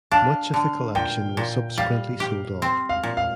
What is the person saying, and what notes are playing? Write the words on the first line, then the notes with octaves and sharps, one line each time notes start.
Much of the collection was subsequently sold off.
D4 F5
D3
A#2 G5
A#2
G3 F5
G4
C4
F5
A#2
F5